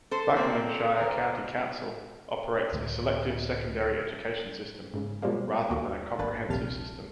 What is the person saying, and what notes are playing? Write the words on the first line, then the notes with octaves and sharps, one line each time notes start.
Buckinghamshire County Council operates a selective secondary education system, rather than a comprehensive system.
A4 C5
A#3 C4
D2 A#4
C#2 A2 D3 A3
G#2 C#3
B2 F3 G3 G#3 A#3
D#2 F#4
G#1 A#3 D4 B4 A6
A#1 D#2 C3 A5 F6